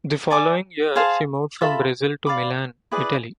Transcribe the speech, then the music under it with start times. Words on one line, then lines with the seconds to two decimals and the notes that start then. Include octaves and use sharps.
The following year she moved from Brazil to Milan, Italy.
0.31 D5 G#5 D6
0.96 G#4 C5 F5 A5
1.61 F4 A4 E5 B5
2.26 D5 F5 B5 D6
2.92 E4 G#4 B4 D5